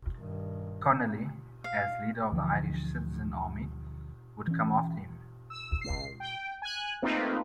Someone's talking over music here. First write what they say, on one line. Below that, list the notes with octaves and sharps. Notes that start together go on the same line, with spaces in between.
Connolly, as leader of the Irish Citizen Army, would come after him.
G2 D#3
F5
D2 D3 E3 F3
E3 C#4
E6
C#2 C7
G5
G#5 F#6
A3 A#3 C4 D#4 F4 B4